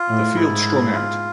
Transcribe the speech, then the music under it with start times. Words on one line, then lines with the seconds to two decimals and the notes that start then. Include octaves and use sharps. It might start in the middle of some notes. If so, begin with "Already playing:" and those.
The field strung out.
Already playing: F4
0.08 A2
0.36 G#2 E4
0.94 F4